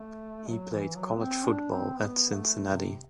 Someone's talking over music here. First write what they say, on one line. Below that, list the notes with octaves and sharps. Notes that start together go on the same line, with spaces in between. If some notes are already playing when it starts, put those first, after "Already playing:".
He played college football at Cincinnati.
Already playing: A3
F#3
E3
F#3
B3
C4
D4
C4
B3
A3
C3